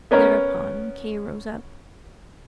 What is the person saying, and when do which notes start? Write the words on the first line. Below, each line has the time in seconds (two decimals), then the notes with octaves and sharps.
Thereupon Kay rose up.
0.11 B3 C#4 A#4 C#5